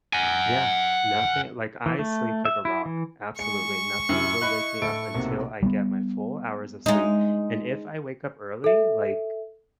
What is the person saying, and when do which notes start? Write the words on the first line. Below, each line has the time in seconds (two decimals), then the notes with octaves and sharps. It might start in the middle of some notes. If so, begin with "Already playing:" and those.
Yeah, nothing like, I sleep like a rock. Absolutely nothing will wake me up until I get my full hours of sleep, and if I wake up early, like,
0.13 F#5 G#5
1.86 E3
1.99 A3
2.45 E5
2.65 E4
2.86 E3
3.39 G#3 C#6 C#7
4.09 F#2 E4
4.42 E4 D#5 B5 F#6
4.82 A2 A4 D7
5.14 B1 C3 A#3
5.63 G3 A#3 B3
6.86 G#3 D#4
8.64 A4 E5